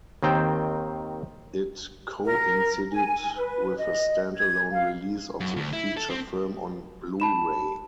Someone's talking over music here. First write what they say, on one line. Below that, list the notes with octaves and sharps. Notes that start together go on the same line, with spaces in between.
It coincided with a standalone release of the feature film on Blu-ray.
D#2 D#3 C4 G5
A#4
G#5
B4
D#5
G#6
F5
F#2
D2
E4
A4
C4
A5 B5 E7